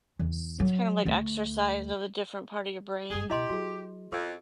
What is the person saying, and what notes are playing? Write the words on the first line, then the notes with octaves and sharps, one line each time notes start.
Seems kind of like exercise of a different part of your brain.
E2
F#3
D2 A3
F#1 G2 G#4
C#2 B2 E4 G4 D#5 C6
F#3 F#4 G#4
F2 C#4